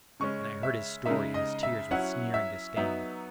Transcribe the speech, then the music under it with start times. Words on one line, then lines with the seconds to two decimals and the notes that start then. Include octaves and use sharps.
And I heard his story and his tears with sneering disdain.
0.20 C#3 G#3 C#4 C#6
0.63 E5
1.06 C#3 G#3 D#4 E5
1.34 D#5
1.63 E5
1.91 F#3 C#4 E4 F#5
2.34 E5
2.77 F#3 B3 D#4 E5